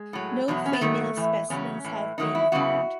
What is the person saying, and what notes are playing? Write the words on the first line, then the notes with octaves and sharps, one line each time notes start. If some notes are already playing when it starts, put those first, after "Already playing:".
No female specimens have been found.
Already playing: G#3
A2 F#3
E2 B2 F#3
C#4
B3
G#2 D#3 F#3 A3
A2 E3
E2 C#3 F#3 C#4
A2 E3
E2 D#3 F#3 D#4
E4
E2 C#3 E3 F#4